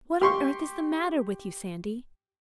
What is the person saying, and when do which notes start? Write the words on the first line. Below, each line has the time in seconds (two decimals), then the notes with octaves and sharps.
What on earth is the matter with you, Sandy?
0.21 G4 C6 C#6